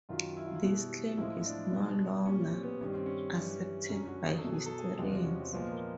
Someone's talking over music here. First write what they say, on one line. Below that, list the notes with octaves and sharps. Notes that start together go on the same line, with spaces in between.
This claim is no longer accepted by historians.
F#2 D#3 F#3 F4
E4
F4
E4
B2 G3
A2 F3 G#3 E4
D4
B2 G#3
A#2 G3 C#4
C4
B3
G2 D#3 G3 C#4
C4
C#4
G2 E3 G3
F#2 D3 F#3 C#4
F#4
G#4
A4
B2 F#3
G#4
A4
G#4
E2 C3 F3 G#3 G4
F#4
C#4
C4
A#2 F3 G#3 B3
A#3